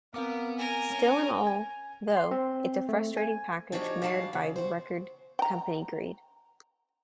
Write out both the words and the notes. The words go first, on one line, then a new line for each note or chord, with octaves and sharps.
Still and all, though, it's a frustrating package marred by record company greed.
B3 C4 A#4 F5 D6
A#4 G#5
C#4 G#5
G#5
C6
C4
A3
G#5
F3 D4 D#4 F#4 G4 C#5
E3 G3 F#4 F5 A5
C#3
F#4 C5
G5 A#5